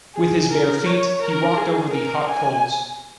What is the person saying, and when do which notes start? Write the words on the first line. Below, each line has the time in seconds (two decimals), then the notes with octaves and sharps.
With his bear feet, he walked over the hot coals.
0.15 G#4
0.51 A#4
0.86 C#5
1.22 A#4
1.57 G#4
1.92 A#4
2.28 G#5